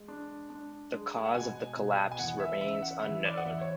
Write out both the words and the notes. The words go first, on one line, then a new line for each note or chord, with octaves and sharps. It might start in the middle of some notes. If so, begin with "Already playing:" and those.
The cause of the collapse remains unknown.
Already playing: G#3
D4
D4
G#3
F#5
B2 G#5
B2
G#5
E2 F#5
E5
C#3 E5
F#5
E3 E5
D5
F#5
E2 E5
C#5